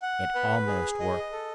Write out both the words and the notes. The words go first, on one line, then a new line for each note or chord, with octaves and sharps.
It almost worked.
F#5
B4
G#4
D#5
A4